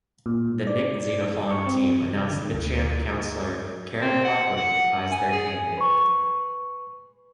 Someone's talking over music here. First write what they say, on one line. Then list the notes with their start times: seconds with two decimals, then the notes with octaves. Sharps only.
The Nick Xenophon Team announced Mitcham councillor Karen Hockley as their candidate.
0.26 A#2
0.67 D5
1.51 C#6
1.66 C4
2.02 C3
2.30 D3
2.54 D2
4.01 C4
4.24 F#5
4.57 F#5
5.11 G#5
5.32 G#4
5.78 B4 C#6